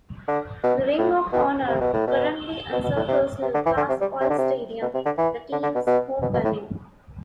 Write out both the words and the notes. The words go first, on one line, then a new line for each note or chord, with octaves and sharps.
The Ring of Honor currently encircles Lucas Oil Stadium, the team's home venue.
D3
B2
A2
B2
C3
B2
A2
B2
B2
B2
A2
C3
C3
D3
E3
D3
C3
G3
C3
D3
C3
B2
C3
D3
E3
D3
D3
B2
B2
B2
B2
A2